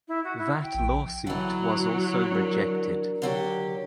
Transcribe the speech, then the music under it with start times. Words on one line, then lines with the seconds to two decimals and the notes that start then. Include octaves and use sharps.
That lawsuit was also rejected.
0.08 E4
0.24 F#4
0.38 E4
0.63 G5
0.74 A#1
1.27 D3 E3 F#3
2.31 D4 A#4
3.22 D3 F#3 G4